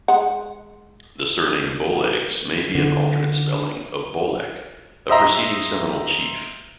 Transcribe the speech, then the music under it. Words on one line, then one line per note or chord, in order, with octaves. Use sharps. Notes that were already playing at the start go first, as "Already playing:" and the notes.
The surname "Bowlegs" may be an alternate spelling of "Bolek", a preceding Seminole chief.
G#3 F#5
D3
C5 D#5 E5 A#5 C6